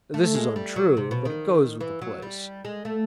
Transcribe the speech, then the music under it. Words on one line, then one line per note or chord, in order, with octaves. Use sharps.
This is untrue, but it goes with the place.
A3
G#3
G3
F#3
C3
B2
D#3
E3
F#3
G3
G#3
A3